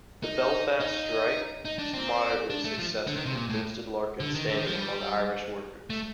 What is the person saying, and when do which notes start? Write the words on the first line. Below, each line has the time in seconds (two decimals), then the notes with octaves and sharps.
The Belfast strike was moderately successful and boosted Larkin's standing among Irish workers.
0.24 D#4
0.80 D#4
1.65 D#4
1.79 D4
1.94 C4
2.50 D4
2.64 A3
2.79 F3
3.07 D3
3.16 D#3
3.26 C3
3.35 A#2
3.50 A2
4.20 D3
4.34 D#3
4.49 D3
4.57 D#3
4.67 F3
4.76 G3
5.90 A3